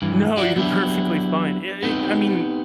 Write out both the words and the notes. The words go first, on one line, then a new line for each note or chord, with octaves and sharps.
No, you're perfectly fine. Yea yea i I mean,
G2 E3
F#4 D5 E5
F#3 B3 D4 E4 G4
B3 C4 D#4 G4